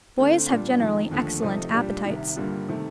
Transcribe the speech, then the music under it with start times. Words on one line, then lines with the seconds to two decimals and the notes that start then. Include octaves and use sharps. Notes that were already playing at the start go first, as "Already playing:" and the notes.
Boys have generally excellent appetites.
0.18 D3 A3 C4
0.48 A#2 G3 D4 F4
0.80 F2 D#3 A3
1.11 D#2 D3 F3 A3
1.42 C3 F3 A3 D#4
1.74 A#2 G3 D4 G4
2.05 C2 C3 D#3
2.36 G2 D3 G3 A#3 F4
2.68 C3 D#3 A3